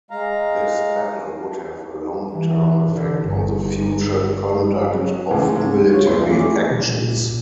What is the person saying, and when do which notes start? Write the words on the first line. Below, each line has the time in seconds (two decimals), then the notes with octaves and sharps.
This battle would have a long-term effect on the future conduct of military actions.
0.11 G#3 F5 A#5
2.31 E3
2.91 D3
3.28 G1
4.92 C#3 F#3
5.31 C#2 A2 C#3 E3
5.53 C#2 G#2
5.92 F4 C#5
6.07 A#1 A#2 G3 E4 C6
6.30 E2 E3 A3 D6
6.70 A#2